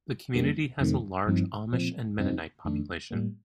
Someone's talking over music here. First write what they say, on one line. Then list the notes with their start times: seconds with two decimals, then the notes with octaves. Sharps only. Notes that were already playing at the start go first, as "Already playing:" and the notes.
The community has a large Amish and Mennonite population.
0.34 F2 D3 G3 A#3 D4
0.80 F2 C3 D#3 A3 C4
1.27 G2 F3 C4 D#4
1.73 A#2 F3 C4
2.18 F2 C3 G3 C4 D#4
2.65 F2 D#3 A3 D4
3.11 A2 G3 A#3